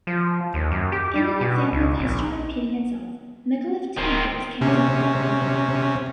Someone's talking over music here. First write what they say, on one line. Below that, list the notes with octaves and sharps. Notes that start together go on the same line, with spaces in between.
In an example of history repeating itself, Micallef Tonight was cancelled the following week.
F3
D#2
F#2
G4
G3
B2
C#2
A#1
D1 D#3 C4
C3 C#4